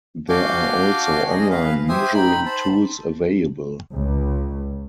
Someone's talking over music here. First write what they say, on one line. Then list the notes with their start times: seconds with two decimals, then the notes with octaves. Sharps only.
There are also online measuring tools available.
0.29 D4 F#4 F5 G#5 D6 G6
1.29 G#4 D#5
1.51 B4 F5
1.89 G4 C5 E5 G#5 D#6
2.14 D#4 G5 B5
2.46 C5 A5 B5
3.94 C#2